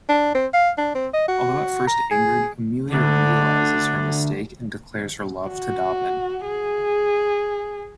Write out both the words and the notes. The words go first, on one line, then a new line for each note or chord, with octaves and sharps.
Although at first angered, Amelia realizes her mistake and declares her love to Dobbin.
D4
C4
F5
D4
C4
D#5
F#4
A#5
G#4
D2 D3 D4
F#4
G#4